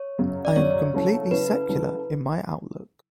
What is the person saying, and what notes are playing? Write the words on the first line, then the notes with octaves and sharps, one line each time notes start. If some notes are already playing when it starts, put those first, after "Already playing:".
I am completely secular in my outlook.
Already playing: C#5
F#2 C#3 F#3 C#4
D5
F#2 C#3 F#3 C#4 C#5
C#3 F#3 C#4 E4 A4
C#3 F#3 C#4 E4 A4 B4
C#3 F#3 C#4 E4 A4